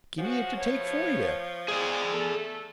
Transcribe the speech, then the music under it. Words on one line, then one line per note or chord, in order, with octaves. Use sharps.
'Gimme it to take for you.
F3 G#3 C#4 F#4
A3 B3 C#5
D#3 G#3 G#4 D5
A3 A4